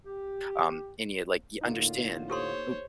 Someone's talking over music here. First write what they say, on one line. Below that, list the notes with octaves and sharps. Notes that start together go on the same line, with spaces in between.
um, and you, like you understand. O
G4
A2 D3 A#3 D#4 F4
G4 A4 C5 C#5 C6